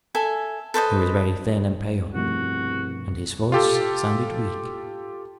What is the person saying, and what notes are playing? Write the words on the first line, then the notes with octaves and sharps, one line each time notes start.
He was very thin and pale, and his voice sounded weak.
A4 E5 G#5
A4 B4 C5 D#5
C2 G2 B2 F3 A3 F#4
F4 G4 A4